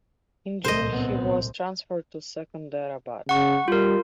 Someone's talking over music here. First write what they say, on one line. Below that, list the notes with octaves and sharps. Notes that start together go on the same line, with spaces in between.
In June he was transferred to Secunderabad.
D1 C2 A#2 A4 A#4 C5 D#5
B3 C4
C#3 F#5 C#6
G3 F4 A#4